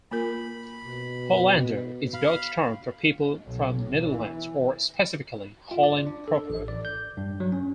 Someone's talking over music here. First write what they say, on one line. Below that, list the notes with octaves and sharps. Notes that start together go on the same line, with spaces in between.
"Hollander" is a Dutch term for people from the Netherlands, or specifically Holland proper.
A#3 F4 A#4 B5
B2
F5 B5
B1
E3
F4
D5
D4
A4
A1
D5
G6
G2
F#3
C#4